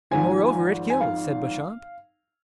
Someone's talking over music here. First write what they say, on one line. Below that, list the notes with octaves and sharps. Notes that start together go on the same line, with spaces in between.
"And moreover, it kills," said Beauchamp.
G#1 G#2 F3 G#5
G#5
F5